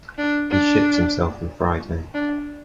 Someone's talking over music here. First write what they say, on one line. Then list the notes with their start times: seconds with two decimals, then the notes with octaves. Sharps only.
He ships himself on Friday.
0.18 D4
0.51 D4
2.15 D4